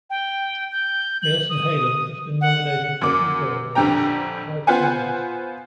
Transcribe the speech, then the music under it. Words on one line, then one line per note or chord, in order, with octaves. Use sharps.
Nielsen Hayden has been nominated for Hugo Awards five times.
G5
G6
F#7
D#6
F#5
F#2 A#3 D6
A#1 F2 D3 G4 G5 A#5
B3 F4 B4 C5 F#5 G#5